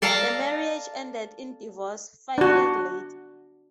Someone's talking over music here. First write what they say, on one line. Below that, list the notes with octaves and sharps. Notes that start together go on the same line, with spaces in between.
The marriage ended in divorce five years later.
A4 D5 F5 A5 A#5
D4 F#4